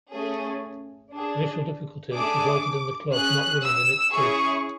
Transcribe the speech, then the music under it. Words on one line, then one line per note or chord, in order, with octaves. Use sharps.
Initial difficulties resulted in the club not winning in its group.
A3 C#4 G#4
D4 G#4
A3 D4 G#4 D6
C#4 G#4 F#6
E6
C#4 E4 G#4 C#6